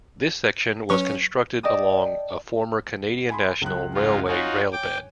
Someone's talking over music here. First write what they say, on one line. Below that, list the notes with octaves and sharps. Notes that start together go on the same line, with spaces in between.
This section was constructed along a former Canadian National Railway railbed.
F#3 C#4 B4 C#6
D5 D#5 G5 A5 D#6
G#5 B5 C6
C#2 F#2 F#6
G#2 F4
D#4 F4 F#4 C#5 G#5
G5 D6